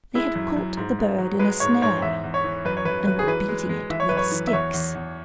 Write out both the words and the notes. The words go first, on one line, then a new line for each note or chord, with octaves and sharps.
They had caught the bird in a snare, and were beating it with sticks.
G#3 E4
F#2
F#2
G#2
G#2
F#3
G#3 B4
G#2 C#5
G#2 C#5
E2 E5
E2
C#5
E3
F#2 B4
C#5
F#2 B4
F#3 B4
G#4
E3 B4
G#3
G#3
E3 E5
C#5
F#2 B4
C#5
E3
E5
E2 C#5
E2
E2